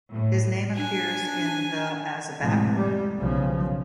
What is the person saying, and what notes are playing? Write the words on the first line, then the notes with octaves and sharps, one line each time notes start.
His name appears in the as a backer.
A2
D4 G#5
F2 A2 C3 E3 G#3
G3
B1 C#3 F3